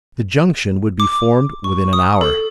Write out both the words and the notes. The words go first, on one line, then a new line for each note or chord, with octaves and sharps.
The junction would be formed within an hour.
D6
C#6
D#6
A4